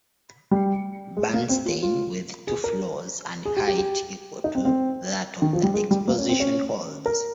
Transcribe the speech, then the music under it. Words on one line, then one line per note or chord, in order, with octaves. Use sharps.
Bernstein with two floors and height equal to that of the exposition halls.
G3
G#3
A#3
C4
F4
F4
G#4
A#4
G#4
G4
G4
G4
D#4
C4
C4
D#3
F3
G3
G#3
G3
A#3
C#4
C4
C#4
A#4